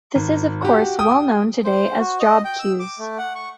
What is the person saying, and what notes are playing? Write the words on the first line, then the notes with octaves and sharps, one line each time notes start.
This is of course well known today as job queues.
G#1
F#4 G4
G5 D#6
C5
F#4
D#5
G5
E6
D6
A3
F#5
C#6